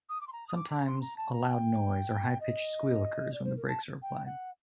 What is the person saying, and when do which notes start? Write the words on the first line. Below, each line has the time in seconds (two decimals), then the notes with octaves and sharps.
Sometimes a loud noise or high pitched squeal occurs when the brakes are applied.
0.09 D#6
0.21 D6
0.27 C6
0.32 A#5
0.48 D#6
0.55 D6
0.71 D6
0.80 A#5
0.86 C6
1.01 A#5
1.17 A5
1.32 A#5
1.48 G5
2.40 D#5
3.33 D5
3.44 C5
3.56 A#4
3.68 A5
4.02 G5
4.26 F#5